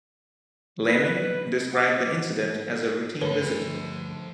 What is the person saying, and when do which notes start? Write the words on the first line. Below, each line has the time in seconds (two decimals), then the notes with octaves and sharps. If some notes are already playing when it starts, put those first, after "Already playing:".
Laming described the incident as a "routine visit".
0.88 B4
1.73 F#5 D6
3.21 D2 G2 D3 F3 A#4 B4 C#5 B5